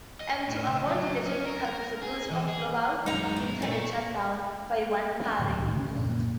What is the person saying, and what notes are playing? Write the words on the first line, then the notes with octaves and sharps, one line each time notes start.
And to avoid the technical possibility of global "Internet shutdown" by one party.
D#5
A2
C#3
F#3
C#4
A#4
G#4
E3
G#4
F#2 G#3 D#4 A#5
E4
A#2 A3
A2 D3 F#3 A3
C2 A2 D#3
C#3 C#4
F#2 A#2 F3 A#3